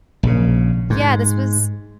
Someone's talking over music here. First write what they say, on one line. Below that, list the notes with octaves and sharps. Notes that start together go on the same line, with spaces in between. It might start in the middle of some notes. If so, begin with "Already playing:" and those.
Yeah, this was
A#1 C#3
G#2